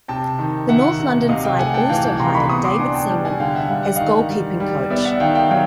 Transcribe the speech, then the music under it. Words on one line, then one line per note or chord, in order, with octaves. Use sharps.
The north London side also hired David Seaman as goalkeeping coach.
C3 G5 A5
D#3
D#3 E5 F#5
C3
C3 D#5 F5
F5 G5
A3 F#5 G#5
G5 A5
E3 F5 G5
F5 G5
C3 A#5 C6
B5 C#6
B3 C#6 D#6
C6 D6
D4 F#5 G#5
G5 A5
G3 G5 A5
F#5 G#5
D3 F5 G5
E5 F#5
G3 F5
F#5
D#3 D#5 F5
G3
G3
B3 D5 E5
E5 F#5
D#3 F5 G5
F5 G5
F#3 F5 G5